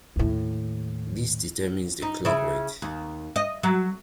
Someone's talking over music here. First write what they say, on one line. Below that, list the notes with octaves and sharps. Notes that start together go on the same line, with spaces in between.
This determines the clock rate.
D#2 A2
D#4
C#3 E4
D#2
D#5
F#3